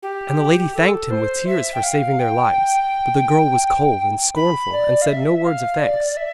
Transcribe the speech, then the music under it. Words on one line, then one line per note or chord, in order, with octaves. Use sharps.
And the lady thanked him with tears for saving their lives, but the girl was cold and scornful and said no word of thanks.
G4
A4
C5
E5
G5
F5
G5
B5
D5
F5
E5
F5
D5
E5